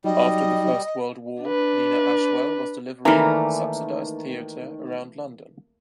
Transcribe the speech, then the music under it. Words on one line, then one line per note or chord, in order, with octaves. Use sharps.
After the first world war Lena Ashwell was delivering subsidised theatre around London.
F#3 G3 D#4 D#5
D4 B4
D#3 E3 A3 A#3 A#4 D5 A#5 B5